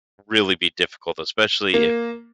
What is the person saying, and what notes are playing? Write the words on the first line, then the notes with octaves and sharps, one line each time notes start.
really be difficult, especially if,
A#3